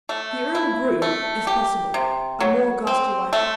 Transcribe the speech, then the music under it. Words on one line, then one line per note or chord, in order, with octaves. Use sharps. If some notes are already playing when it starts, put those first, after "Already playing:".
The earl grew, if possible, a more ghastly white.
A3
E4
A3
G4
C3
F#3
C4
A3